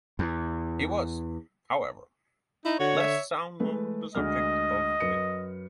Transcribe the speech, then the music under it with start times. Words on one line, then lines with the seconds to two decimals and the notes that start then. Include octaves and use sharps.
He was, however, less sound on the subject of women.
0.19 E2
2.65 D#4 E4
2.79 D3 F#4 C#5
2.99 E5
3.60 G#3 A3 B4
4.15 D2 G#3 D#5 F6
5.00 F#2 B4 C#7